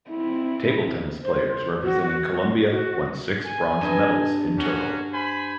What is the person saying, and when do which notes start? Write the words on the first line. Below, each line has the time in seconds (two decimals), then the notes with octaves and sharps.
Table tennis players representing Colombia won six bronze medals in total.
0.11 C4 E4
1.23 C5
1.84 F#4
2.01 F#4
2.70 F#4
3.45 G#5
3.81 G2 D#5
4.57 A#3 C#4 F#4
5.12 C5 G#5 B5